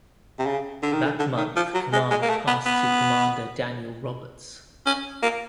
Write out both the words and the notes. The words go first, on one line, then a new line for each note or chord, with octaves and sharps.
That month command passed to Commander Daniel Roberts.
C3
C#3
D3
D#3
D3
D3
D#3
F3
F#3
G#3
G#3
A#3
A3
B3
B3
C#4
A#3